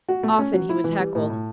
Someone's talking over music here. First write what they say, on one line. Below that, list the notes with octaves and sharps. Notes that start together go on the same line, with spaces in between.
Often he was heckled.
F#4
A3
C#4
F#3
E4
E3
G3
A2
A2